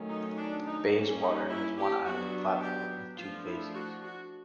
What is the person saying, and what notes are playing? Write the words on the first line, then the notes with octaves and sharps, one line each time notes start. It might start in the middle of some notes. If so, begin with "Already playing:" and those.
Bayswater has one island platform with two faces.
Already playing: D#3 F#3 A3 C#4
D#4
D4
D#4
G3 A#3 C#4
D#4
E4
G4
F#3 B3 D4 F#4
G4
F3 A3 D4 F4
E4
F#4
F#4